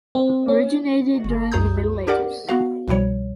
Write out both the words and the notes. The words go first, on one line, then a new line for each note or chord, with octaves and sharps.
Originated during the Middle ages.
C4
C#4
G1
C2 F#2 G#4 A#5 D#6 G6
D4 G4 A#4 D5 F#5 D6
B3 F#4 F5
C2 B2 F3 G3 C#5